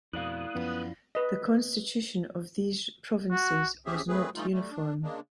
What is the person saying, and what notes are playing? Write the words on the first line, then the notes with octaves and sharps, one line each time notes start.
The constitution of these provinces was not uniform.
F2 B2 E4 D5 F5 D#6 F#6
F#2 F3 B3 C#4
B4 D#5
F#4
C4 C#4 G4 G#4 E5
A3 C4 G#4 B4
E3 G3 A3 D#4 F4
G3 A3
D4
C#3 G#3 A#3 D4